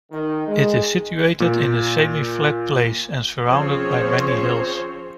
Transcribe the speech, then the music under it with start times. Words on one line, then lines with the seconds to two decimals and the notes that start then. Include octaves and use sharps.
It is situated in a semi flat place and surrounded by many hills.
0.12 D#3
0.47 G#3
1.40 A#2
3.45 F3 C4 C#4 G#4 C5 C#5